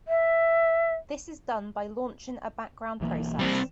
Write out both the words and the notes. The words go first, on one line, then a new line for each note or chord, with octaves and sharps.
This is done by launching a background process.
E5
B1 E3 A#3
G3 C4